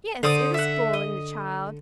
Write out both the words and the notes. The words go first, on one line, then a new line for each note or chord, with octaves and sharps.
'Yes; it is spoiling the child.
D3 C5 D5 D#6
E5 F#5
D#5